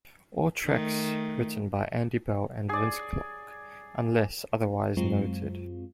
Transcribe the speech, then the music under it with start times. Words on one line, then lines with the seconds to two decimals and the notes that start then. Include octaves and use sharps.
All tracks written by Andy Bell and Vince Clarke, unless otherwise noted.
0.65 D#3 A3
2.69 G#4 D5
4.97 F#2 F#3 G#3 C4 F4